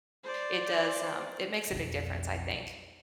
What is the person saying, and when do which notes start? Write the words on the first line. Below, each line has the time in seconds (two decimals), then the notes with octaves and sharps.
it does um, it makes a big difference, I think.
0.24 C5 D5
1.70 B1 F2